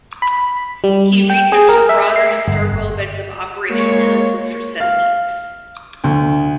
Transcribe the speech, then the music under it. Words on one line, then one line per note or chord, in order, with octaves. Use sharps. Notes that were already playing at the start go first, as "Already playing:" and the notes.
He researched the broader historical events of Operation Nemesis for seven years.
B5
G3
G5
G#4
A#4
E5
C7
G1
G#3 A#3 C#5
F5
D2